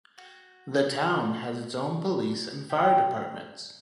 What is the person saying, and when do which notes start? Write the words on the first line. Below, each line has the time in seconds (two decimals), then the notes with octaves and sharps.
The town has its own police and fire departments.
0.18 F#4
2.69 G4